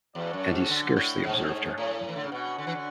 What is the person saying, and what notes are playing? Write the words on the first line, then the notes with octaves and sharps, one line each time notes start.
And he scarcely observed her.
E2 C#4 F#4 A4 D5 F#5
F#2
G#2
D3
A2
G#2 A3 D4 G#4 C#5
A2
E3
D3
C#3
B2 C#4 F#4 B4 F#5
D3
E3
D3